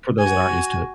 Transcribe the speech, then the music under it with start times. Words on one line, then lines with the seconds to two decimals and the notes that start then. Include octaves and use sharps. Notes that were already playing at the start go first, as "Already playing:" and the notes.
for those that aren't used to it.
0.19 F#4 G#5